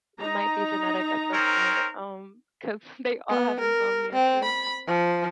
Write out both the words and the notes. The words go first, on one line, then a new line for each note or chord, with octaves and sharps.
Might be genetic at this point, um, 'cause they all have insomnia too.
D#4 A#5
C4 C#4 A#4
B3
A#4
C4
B5
F3